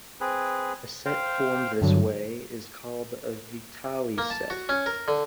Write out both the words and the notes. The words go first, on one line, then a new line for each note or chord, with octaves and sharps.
A set formed this way is called a Vitali set.
C4 G#4 B4
C5 F5 G5
G2 D3 F#3
A#3
A5
F#4
C#4
A#4
D3